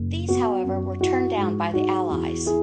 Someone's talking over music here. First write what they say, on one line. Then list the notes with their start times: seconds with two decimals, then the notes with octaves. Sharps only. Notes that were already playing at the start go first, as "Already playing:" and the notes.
These, however, were turned down by the Allies.
Already playing: F#1
0.28 B3 F#4
0.64 F#2
1.01 E4 F#4
1.37 G#2
1.74 D#4 F#4
2.10 E2
2.46 E4 G#4